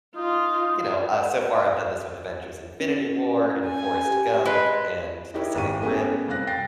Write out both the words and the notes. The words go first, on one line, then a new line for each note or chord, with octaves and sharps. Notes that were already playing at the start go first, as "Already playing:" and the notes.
you know, uh, so far I've done this with Avengers Infinity War and Forrest Gump, and Pacific Rim,
D#4 F4
C#4
G#5
G4
G#3 B4
D#4 E4 G4 A#4 C#5
G#1 G#2 G4 F5 C#6 D#7
A3 B3 C#4 G4 G#4 A#4
C3 G3 F5 F#6 A#6
G5 A6 A#6 C7